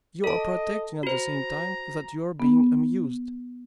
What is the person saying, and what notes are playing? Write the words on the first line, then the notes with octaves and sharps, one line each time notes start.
You are protecting at the same time that you are being amused.
A4 D#5 A5
F#4 C5 A#5
B3